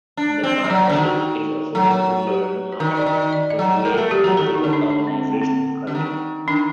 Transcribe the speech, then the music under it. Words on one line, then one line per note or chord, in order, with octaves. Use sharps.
The partnership is a forum to learn how to create an ethical organizational culture.
D4
C4
G3
F#3 D5
D3 C5
D#3
F#4
F#3
G4
C5
D#3 A#4
D#5
D5
D#3
D#5
D5
D#5
F#3
G3 A#4
A3 A4
G3 G4
F#3 F#4
D#3 A4
D#4
D3
D4
D4
C4
C4
A#3
C4
D3
D#3
D#3 D4